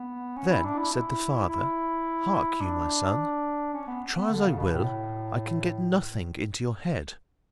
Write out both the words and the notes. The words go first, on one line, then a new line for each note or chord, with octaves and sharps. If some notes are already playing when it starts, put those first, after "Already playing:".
Then said the father: 'Hark you, my son, try as I will I can get nothing into your head.
Already playing: B3
C#4
E4
D4
E4
E4
E4
D4
C#4
B3
B3
D3
C#3
B2
A2